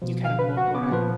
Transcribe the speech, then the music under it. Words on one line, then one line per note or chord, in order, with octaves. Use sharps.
you kinda mor wanna
B2 F3
F5
B4
F#4
B3 D6
A#2 F3 F4 B4